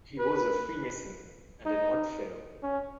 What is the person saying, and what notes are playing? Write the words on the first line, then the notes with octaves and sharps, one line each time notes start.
He was a Freemason and an Oddfellow.
B4
D#4
C#4